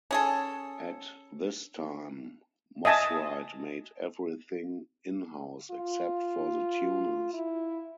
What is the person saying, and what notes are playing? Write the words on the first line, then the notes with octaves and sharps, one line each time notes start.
At this time, Mosrite made everything in-house, except for the tuners.
C#4 G#4 A4
D#5 E5 G#5 A5 D#6
F4
E4